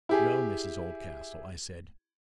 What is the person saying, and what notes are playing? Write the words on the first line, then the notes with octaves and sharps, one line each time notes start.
"No, Mrs Oldcastle," I said.
E4 G4 G#4